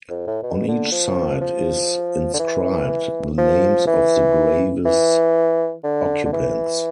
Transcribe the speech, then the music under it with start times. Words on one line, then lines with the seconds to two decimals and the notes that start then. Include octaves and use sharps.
On each side is inscribed the names of the grave's occupants.
0.10 F2
0.27 A2
0.43 B2
0.68 D3
0.92 F3
1.41 F3
2.34 D3
2.39 E3
3.38 F3
3.87 E3
4.86 E3
5.84 D3
6.25 D3
6.33 E3